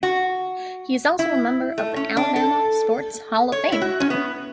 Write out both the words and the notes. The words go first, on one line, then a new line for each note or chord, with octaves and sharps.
He is also a member of the Alabama Sports Hall of Fame.
F#4
E4
A3
C#4
D4
A4
C#5
E4
F#4
C#4
B3